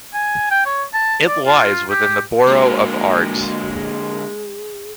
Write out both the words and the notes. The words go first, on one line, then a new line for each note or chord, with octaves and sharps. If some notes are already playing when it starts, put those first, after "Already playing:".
It lies within the Borough of Ards.
G#5
G5
C#5
A5
D5
F4
G4
D3 G#3 A#3 F#4
G#4